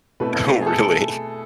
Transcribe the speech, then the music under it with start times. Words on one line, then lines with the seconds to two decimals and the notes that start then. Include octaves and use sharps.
Oh, really?
0.20 B2 A3 C4 E4 B4
0.62 G#4
0.66 A4